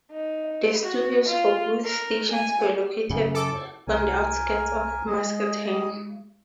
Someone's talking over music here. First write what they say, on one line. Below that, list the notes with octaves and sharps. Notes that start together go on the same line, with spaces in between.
The studios for both stations were located on the outskirts of Muscatine.
D#4
F#4
F4
A#4
G#5
F#2 C#3
A4 D6
C2 A#4 G#5
G#3 G#4 D#5